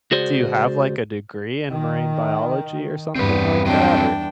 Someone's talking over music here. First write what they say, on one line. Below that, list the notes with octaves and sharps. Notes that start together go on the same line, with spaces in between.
do you have, like, a degree in marine biology or something like that, or
C#2 F#4 G#4 C5 D5
D#3
E2 G2 C4 B4
F#3 C4 D4 G5